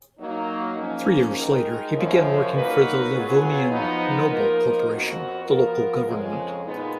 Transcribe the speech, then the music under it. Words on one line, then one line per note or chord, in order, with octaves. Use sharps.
Three years later he began working for the Livonian Noble Corporation, the local government.
F#3 A#3 D#4
G#2 F3 A#3 C#4
D#3 G#3 D#4 A#4
F#2 C#3 F3
F#3 A#3 D#4 F#4 B4
F#3 B3 F4 G#4
F3 B3 D#4
F3 A#3 D#4 A#4
F2 F3 B3 F#4
F3 B3 F4 A#4
F2 C#3 G#3
A#2 G#3 B3 D#4